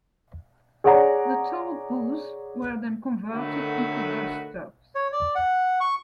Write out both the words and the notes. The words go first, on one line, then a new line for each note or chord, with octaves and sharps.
The toll booths were then converted into bus stops.
G#4 C#5 D5 F#5 A#5
D3 D#3 F#3 A3 F#4 B4
C#5
D5
F#5
C#6